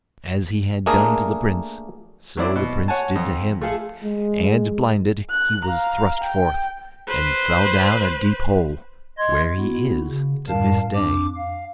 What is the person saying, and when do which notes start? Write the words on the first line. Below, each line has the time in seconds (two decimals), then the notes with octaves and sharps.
As he had done to the prince, so the prince did to him, and, blinded, he was thrust forth, and fell down a deep hole, where he is to this day.
0.86 A3 A#3 D4 G#4 A#4
2.37 F#3 C4 E4 D5
2.55 B2
2.88 C#5 F#5 G#5 A5
3.15 F2
3.61 A3 F4 G#4 A4
4.03 G#3
5.30 F#6
5.65 F5 A#5
6.24 G5
7.07 B4 C5
9.18 D#5 C6 G#6
9.58 B3 E4 F#4
10.07 C#3
10.49 F#2 A2 G3 A#4 F5 A5
10.94 F2 D4 D6
11.36 F5